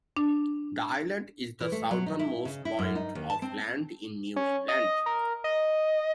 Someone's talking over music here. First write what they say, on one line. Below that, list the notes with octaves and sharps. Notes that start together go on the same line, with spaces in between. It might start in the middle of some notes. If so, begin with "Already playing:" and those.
The island is the southernmost point of land in New England.
D4
E3
A3
F#3
D#4
E4
C#3
E4
F#2
D#4
D#2
A5
C4
C#4
D#5
A#4
D#5